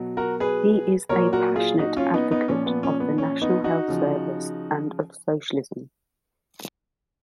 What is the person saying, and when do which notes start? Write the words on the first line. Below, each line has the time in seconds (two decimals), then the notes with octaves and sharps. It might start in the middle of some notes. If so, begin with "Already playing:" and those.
He is a passionate advocate of the National Health Service and of socialism.
Already playing: B2 F#3
0.17 F#4 A#4
0.40 G#4 B4
1.09 A#2 F#3 A#4 C#5
1.33 F#4 A#4
1.56 F4 G#4
1.79 D#4 F#4
1.97 C#4 F4
2.14 B3 D#4
2.31 B3 D#4
2.48 A#2 F3 C#4
2.66 B3
2.83 C#4
3.00 B3
3.18 C#4
3.42 B3 D#4
3.64 D#4 F#4
3.88 C#3 F3